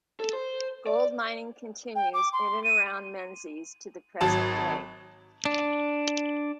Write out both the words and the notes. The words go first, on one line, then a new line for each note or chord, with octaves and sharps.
Gold mining continues in and around Menzies to the present day.
A4
C5
D5
G5
D6
C6
D#7
G#1 F#3 A5
D4